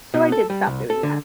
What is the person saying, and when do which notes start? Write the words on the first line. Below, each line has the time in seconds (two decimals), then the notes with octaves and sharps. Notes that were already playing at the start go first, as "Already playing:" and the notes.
So, I did stop doing that.
0.14 B2
0.32 A4
0.50 G3
0.67 C2
0.90 A4
1.03 D3